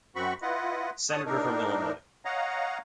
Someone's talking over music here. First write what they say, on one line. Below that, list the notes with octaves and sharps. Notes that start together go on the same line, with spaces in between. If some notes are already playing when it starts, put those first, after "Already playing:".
Senator from Illinois.
F#2 C4 F#4 B5 C#6
E4 F4 B4 D#5 F#5
C#5 A5 D#6
A2 D4 D#4 A#4
C#5 D#5 F5 F#5 A#5